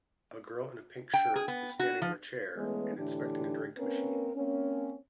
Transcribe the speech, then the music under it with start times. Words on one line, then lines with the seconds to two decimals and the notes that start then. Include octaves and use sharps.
A girl in a pink shirt is standing on a chair and inspecting a drink machine.
1.14 G5
1.36 G#4
1.48 B3
1.80 F#4
2.02 F3
2.55 E3 G#3 A3 B3 C#4
2.96 A2 D3 E3 D4 G4
3.77 A#3 C4 C#4 A#4 B4
4.35 A#3 C4 C#4